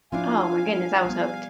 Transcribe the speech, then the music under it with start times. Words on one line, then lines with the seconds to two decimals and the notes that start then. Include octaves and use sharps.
oh my goodness, I was hooked.
0.12 F3 C4 D4 E4 F4 F5 G#5
1.05 G3 B3